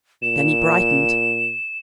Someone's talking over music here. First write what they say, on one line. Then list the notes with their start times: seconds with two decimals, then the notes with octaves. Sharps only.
Then he brightened.
0.22 A#2 E7